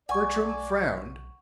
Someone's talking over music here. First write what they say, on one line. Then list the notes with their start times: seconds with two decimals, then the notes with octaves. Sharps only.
Bertram frowned.
0.09 B1 D5 F#5 G#5 C#6